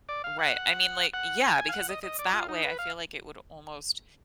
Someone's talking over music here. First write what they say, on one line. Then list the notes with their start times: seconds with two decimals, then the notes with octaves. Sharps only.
Right, I mean, like eh, yeah, because if it's that way, I feel like it would almost
0.09 D5
0.24 F5
0.39 F#5
1.14 F#5
1.44 G#5
1.69 F5
1.73 F#5
1.89 D#5
2.04 D#5
2.19 D5
2.33 F4
2.49 D#4
2.64 B4
2.79 F5